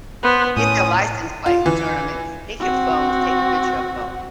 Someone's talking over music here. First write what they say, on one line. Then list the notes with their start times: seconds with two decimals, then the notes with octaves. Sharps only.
Get their license plate, and turn 'em in, take your phones, take a picture of 'em, go,
0.23 B3 B4 C5
0.57 A2 C#4 D#6
1.46 F4
1.66 E3
2.60 C4 F#4